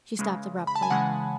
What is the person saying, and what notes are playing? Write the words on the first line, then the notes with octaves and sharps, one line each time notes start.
She stopped abruptly.
C#3 E3 G#3
B5
A5
G#5
C#3 E3 G#3 F#5